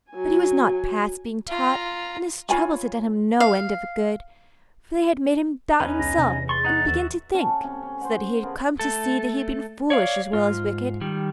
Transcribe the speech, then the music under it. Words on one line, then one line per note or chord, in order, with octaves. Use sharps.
But he was not past being taught, and his troubles had done him no end of good, for they had made him doubt himself, and begin to think, so that he had come to see that he had been foolish as well as wicked.
F#3 G#5
F4 A#5
F4 C#5 G#5 B5
F5
E2 C#4 D#4 B4
C2 A#6
C3
C6 C#6 A6
D#4 F#5
D#2 F#4 E5
C#4 C#5 F#5 A5
C3 C#4
C#4
C5 F#5
C#3 B3 G#4 A#4
A3 A4
C#5 D5 F5
G#2 F4
D#3 G3